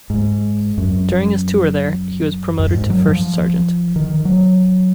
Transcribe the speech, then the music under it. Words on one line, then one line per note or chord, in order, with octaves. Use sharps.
During his tour there, he was promoted to first sergeant.
G#2
F#2
F#2
G#2
F#3
F3
D#3
F#3